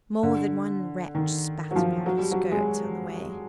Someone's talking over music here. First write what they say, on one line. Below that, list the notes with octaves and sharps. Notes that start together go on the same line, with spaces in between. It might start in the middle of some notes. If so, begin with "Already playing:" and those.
More than one wretch spat upon her skirts on the way.
D3
D#3
F#3
F3
F#3
G3
F#3
G#3